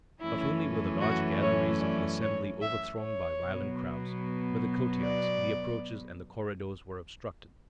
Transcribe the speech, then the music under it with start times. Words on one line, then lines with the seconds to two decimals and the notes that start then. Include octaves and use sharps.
Not only were the large galleries of the Assembly overthronged by violent crowds, but the courtyards, the approaches, and the corridors were obstructed.
0.22 F#2 E3 A3 C#4 E4
1.01 F#4
1.42 C#5
1.82 D5
2.22 C#5
2.62 E5
3.02 C#5
3.42 B2 F#3 B3
5.02 D5